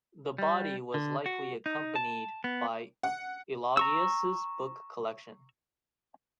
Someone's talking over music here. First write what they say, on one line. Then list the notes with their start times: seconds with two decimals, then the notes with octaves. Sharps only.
The body was likely accompanied by Eulogius's book collection.
0.38 G3
0.94 D3
1.26 F#4
1.66 D#4
1.95 A5
2.44 B3
3.03 F#5
3.77 A#5 C#6 E6